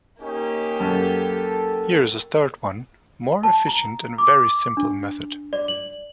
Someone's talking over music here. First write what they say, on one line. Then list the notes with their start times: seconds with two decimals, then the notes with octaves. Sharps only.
Here is a third one, more efficient and very simple method.
0.21 A#3 C#4 D#4 G4
0.80 F#2 A4
3.43 A5
3.67 A#5
4.18 D6
4.77 D4
5.53 D5
5.68 F#7